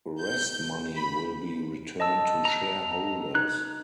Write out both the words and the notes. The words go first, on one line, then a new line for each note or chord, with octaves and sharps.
Rest money will be returned to shareholders.
G6
B5
D#5 A5 E6
A#5
D#4 F#6